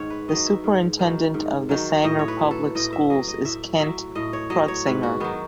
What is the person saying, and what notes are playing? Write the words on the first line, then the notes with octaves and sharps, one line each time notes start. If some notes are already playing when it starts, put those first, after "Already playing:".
The superintendent of the Sanger Public schools is Kent Crutsinger.
Already playing: G#2 D#3 C#5
B4
D#3 F#3 D#5
E5
G#2
D#3 F#3
G#2
D#3 F#3
A2 D#5
C#5
B4
F#3
A4
A2 D#5
E5
F#3 D#5
D#5
A2 E5
F#3 D#5 E5
A2 D#5
C#5
F#3 D#5
C#5
G#2 B4
F#4
D#3 F#3 B3